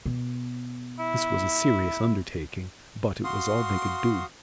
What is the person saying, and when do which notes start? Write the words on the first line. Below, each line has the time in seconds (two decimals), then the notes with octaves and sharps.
This was a serious undertaking, but it was all they could do.
0.06 B2
0.99 E4
3.24 F#4 F5 C6 D#6